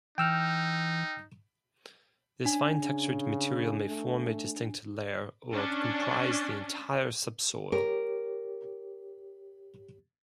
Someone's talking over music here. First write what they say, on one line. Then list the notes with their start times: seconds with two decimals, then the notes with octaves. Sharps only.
This fine-textured material may form a distinct layer or comprise the entire subsoil.
0.18 E3 D#4 G5 E6 F6
2.45 C#4 D4 G#5
2.79 C#3
3.88 A3
5.51 C#4 D4
7.72 G4 A#4 C#5